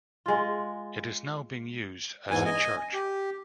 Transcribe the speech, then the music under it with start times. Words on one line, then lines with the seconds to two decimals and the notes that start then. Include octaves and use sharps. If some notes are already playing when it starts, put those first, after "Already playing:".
It is now being used as a church.
0.26 G#3 F4
2.31 E2 G#2 E3 G#5
2.45 D#5 G#5
2.93 G4